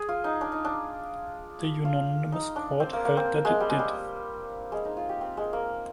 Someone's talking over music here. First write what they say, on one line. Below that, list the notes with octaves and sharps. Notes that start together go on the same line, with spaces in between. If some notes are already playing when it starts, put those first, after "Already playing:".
The unanimous Court held that it did.
Already playing: G#4
F4
D#4
D4
D#4
D4
F4
D#4
D4
C4
A#3
A#3
C4
G#3
G3
G#3
G3
G#3
D#4
F4
G4
C4
G#3
A#3